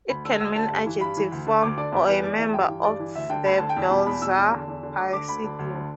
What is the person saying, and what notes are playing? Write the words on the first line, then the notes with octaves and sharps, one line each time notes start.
It can mean adjective form, or a member of the Belzer Hasidim.
D2 B5
D3 E6
D2 E6
D3 A5
G2
E3
G2 B5
E3
D2
D3
D2 D6
D3 D5
E2 D5
E3 B4
E2 D5
E3 E5
A5
G2 G5
E3
G2 D5
E3
D2 E5
D3 G5
D2 B5
D3 A5
G5
E2
A5
B2
E2 B5
B2 E6
E2
D3
E2
D3
D2 D6
D3 D6
D2 B5
D3
D2
D3